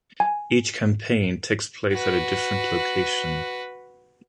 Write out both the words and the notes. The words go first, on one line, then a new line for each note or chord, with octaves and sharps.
Each campaign takes place at a different location.
G#5
F#4 B4